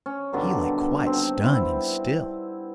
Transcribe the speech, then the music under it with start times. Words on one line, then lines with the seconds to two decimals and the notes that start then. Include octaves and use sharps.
He lay quite stunned and still.
0.06 C#4
0.33 G2 B2 D3 D#3
1.07 C4
1.44 B3 C4 E4